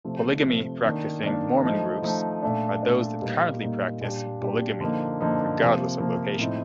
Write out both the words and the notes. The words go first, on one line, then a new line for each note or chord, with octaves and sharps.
Polygamy-Practicing Mormon groups are those that currently practice polygamy, regardless of location.
C3 F3 A3
C3 F3 A3
D#3 A#3 D4
D#3 A#3 D4
F3 A3 D#4
F3 A3 D#4
A#2 A3 D4
A#2 A3 D4
A#2 G3 A#3 D#4
A#2 G3 A#3 D#4
A#2 G3 D4 G4
A#2 G3 D4 G4
D3 F3 A#3 D#4
D3 F3 A#3 D#4
C3 F3 A#3
C3 F3 A#3
A2 F3 C4 D#4